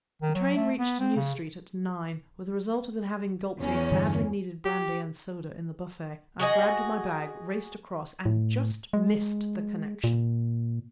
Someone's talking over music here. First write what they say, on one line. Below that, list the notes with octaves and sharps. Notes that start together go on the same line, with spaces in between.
The train reached New Street at nine, with the result that having gulped a badly needed brandy and soda in the buffet, I grabbed my bag, raced across--and just missed the connection!
D#3
F#3
A3
B3
C4
C#3
E2 C#4
G2 D3 E3
G4
F#4 G#4 D#5
A2
G#3
A#2